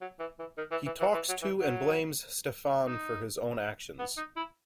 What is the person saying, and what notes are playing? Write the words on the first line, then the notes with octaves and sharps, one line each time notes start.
He talks to and blames Steffen for his own actions.
F#3
E3
E3
D#3
E3
E3
E3
E3
F#3
E3
F#3
D#4
B3
D#4
E4